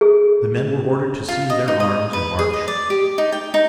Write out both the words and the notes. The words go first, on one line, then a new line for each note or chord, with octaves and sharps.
The men were ordered to see to their arms and march.
G#4
F4
D#5
D#4
D#5
B4
G#4
D#5
D5
G4
D#4
G5
D#4